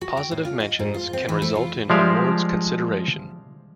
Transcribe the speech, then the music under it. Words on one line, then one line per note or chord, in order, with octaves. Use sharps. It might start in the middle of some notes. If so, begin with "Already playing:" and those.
Positive mentions can result in awards consideration.
F#4
G5
A2
F4
D#5
G#2
F4
C4
E3
A3
F4
F3 G3 G#3 D5 E5 F5